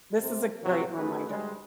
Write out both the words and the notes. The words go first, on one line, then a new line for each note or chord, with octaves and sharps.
This is a great reminder.
C3
A2 C3 F#3
F#2 A3 G#4 B4
D2 G3 G#3